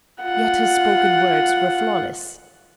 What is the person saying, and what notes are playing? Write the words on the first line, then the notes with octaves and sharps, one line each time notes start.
Yet his spoken words were flawless.
F4 F#5